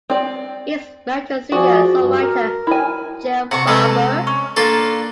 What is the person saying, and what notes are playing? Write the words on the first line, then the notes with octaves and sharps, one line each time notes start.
He is married to singer-songwriter Jill Barber.
C4 D5
F3 F#4 G#4 D5
G2
A#4
E4 G#5
C3 F#5 A5 C#6
C3 G#3 C4 A4 B4
C#4
A#3 D4 F4 A4